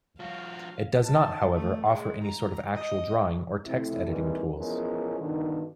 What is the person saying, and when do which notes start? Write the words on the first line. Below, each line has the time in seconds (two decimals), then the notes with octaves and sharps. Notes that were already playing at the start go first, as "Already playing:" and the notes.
It does not however, offer any sort of actual drawing or text-editing tools.
0.20 F3 F#4 F5
1.03 A5
1.55 A3
1.90 G#3
2.23 A#5
2.76 D#5
3.65 F2 C3 A3 C4 E4
4.07 D#3 E3 G3 G#3 A#3 C4
4.56 E3 F3 G#3 B3 C#4 A#4
5.20 G2 B2 D3 D#3